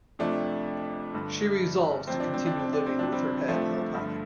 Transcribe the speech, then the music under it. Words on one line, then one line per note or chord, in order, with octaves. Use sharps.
She resolves to continue living with her head held high.
F2 C3 A3 D4
G2 D3
F2 C3 C4
D4
C4
D4
C4
D4
C4
F2 C3 D4
G3 C4
F3 A3
G2 D3